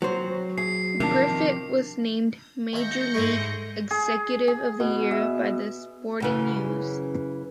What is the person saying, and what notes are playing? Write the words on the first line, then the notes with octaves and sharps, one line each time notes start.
Griffith was named Major League Executive of the Year by The Sporting News.
F#3 C4 C5
G#4 C7
C3 D#3 F3 D4 D6
D#2 E5 G6 A#6 C#7
G#2 G#3 A3 E4
G#4
G#4
B2
E5
F#2 C#3 E3